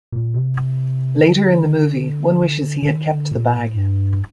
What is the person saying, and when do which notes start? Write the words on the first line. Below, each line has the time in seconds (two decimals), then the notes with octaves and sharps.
Later in the movie, one wishes he had kept the bag.
0.12 A#2
0.34 C3
1.19 D3
2.83 D3
2.89 D#3
3.10 D3
3.32 A#2
3.53 A2
3.74 G2